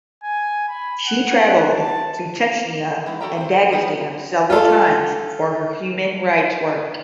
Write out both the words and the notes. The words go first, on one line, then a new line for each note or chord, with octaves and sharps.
She travelled to Chechnya and Dagestan several times for her human rights work.
G#5
B5
F#5
A5
E3 G#3
F#4 A4 E5 G5 A#5
C4 C5
G3 B3 D#4 G4 G#4
F4 A4